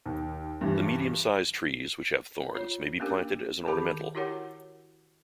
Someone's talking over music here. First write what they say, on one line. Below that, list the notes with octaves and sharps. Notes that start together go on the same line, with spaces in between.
The medium sized trees which have thorns, may be planted as an ornamental.
D#2
G2 E3 G3
F4 C#5
A#3 C#4 D4 G4 A#4
D#3 G4 G#4 B5
E4 F#4 G4 A#4 C#5 F#5